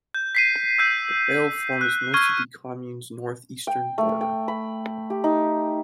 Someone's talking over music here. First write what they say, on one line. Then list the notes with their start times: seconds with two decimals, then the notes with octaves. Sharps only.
The Veyle forms most of the commune's northeastern border.
0.15 G6
0.35 B6 C7 D#7
0.79 E6 G6 D#7
1.81 F#6
2.14 C#6 F6 G#6 D#7
3.67 G5
3.98 A3
4.21 G5
4.48 B5
5.10 G4
5.24 D#4